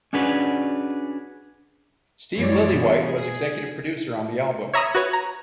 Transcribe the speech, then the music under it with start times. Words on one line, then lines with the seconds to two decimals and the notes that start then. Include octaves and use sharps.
Steve Lillywhite was executive producer on the album.
0.13 C#4 D4 F#4 G#4 B4
2.35 F#2 E3 G3 G#3 C#5 D5
2.71 B2 B3 G#4
3.05 G#4
4.73 C#5 E5 A#5 B5 D#6
4.95 F#4 B4 C#5
5.13 A#5